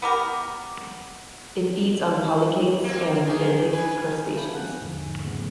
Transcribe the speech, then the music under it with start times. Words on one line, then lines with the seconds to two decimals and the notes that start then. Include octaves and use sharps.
It feeds on polychaetes and benthic crustaceans.
0.02 B3 G4 A#4
2.84 A#3 C4
3.27 D#3 G#4
3.73 B4 G#5
4.36 G#4 E5 F5 A5 B5 G6
4.53 F#5 G#5 F#6
4.81 E2 G#2 D3 F3
5.25 C#3 F3 A3 B3